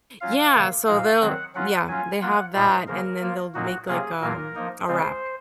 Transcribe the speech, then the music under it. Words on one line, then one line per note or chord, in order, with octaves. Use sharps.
Yeah, so they'll yeah, they have that and then they'll make like, um, a wrap,
F#3 C#4 F4 F5
C3 D#3 A#3
A#2 F3 G#3 D#4 F5
D#3 F#3 C4 F#5
F#3 C#4 F4 F#5
F#3 C#4 F4 G#5
F#3 A#3 F4 F#5
A#2 G#3 D#4 C5
C#3 F3 A#3 A#4
F3 A#3 F4
A#2 F#3 A#3 D#4 F#4
C3 F#3 A#3 C#4 F4 G#4
A#2 F#3 A#3 F4 A#4
F3 A#3 D#4
C#3 G#3 C4 F4 C5